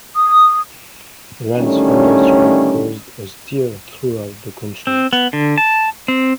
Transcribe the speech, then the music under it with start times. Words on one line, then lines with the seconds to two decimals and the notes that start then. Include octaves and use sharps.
Ran's hunger strike caused a stir throughout the country.
0.16 D#6
1.57 A2 D3 D#3 G3 A3 C#4
4.87 C4
5.13 B3
5.33 D3
5.58 A5
6.08 C4